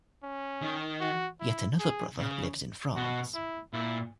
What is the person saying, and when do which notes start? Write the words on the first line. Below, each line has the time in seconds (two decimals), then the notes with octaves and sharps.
Yet another brother lives in France.
0.23 C#4
0.62 D#3
1.01 F#4
1.40 E4
1.79 G#4
2.18 C#3
2.96 B2 F#4
3.35 E4
3.73 A#2 E4